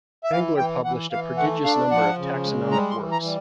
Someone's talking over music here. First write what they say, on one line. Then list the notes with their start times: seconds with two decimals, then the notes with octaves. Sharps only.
Engler published a prodigious number of taxonomic works.
0.24 E5
0.32 E3 F5
0.57 E3 G5
0.84 E3 F#5
1.11 E3 F5
1.37 A3 F#5
1.64 D4 F5
1.91 F3 F#5
2.18 C#3
2.45 G#3
2.71 G3 A#5
2.91 C6
2.98 E3
3.12 A#5
3.24 G3